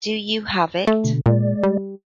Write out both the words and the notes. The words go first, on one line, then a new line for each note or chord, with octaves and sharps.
Do you have it?
A3
B2 D3
A#2 G#3 D5
G3